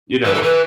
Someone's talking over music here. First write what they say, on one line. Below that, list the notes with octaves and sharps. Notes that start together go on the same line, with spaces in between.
you know,
E3 B4
A4
E3 B4